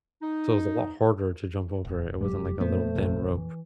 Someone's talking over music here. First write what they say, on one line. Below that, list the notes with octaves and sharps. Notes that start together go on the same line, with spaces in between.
so it was a lot harder to jump over it; it wasn't like a little thin rope.
D#4
D#1
F1 F#3 G#3 G4
F2 A#2 A3 B3 C5
A#1 D#2 C3
E3